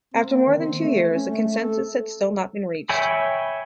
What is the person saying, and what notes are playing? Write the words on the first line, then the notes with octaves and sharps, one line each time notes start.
After more than two years, a consensus had still not been reached.
C4
A#3
D#3
C4
A3
C#4
A3
A3
A4
C#5 E5 G5 G#5 B5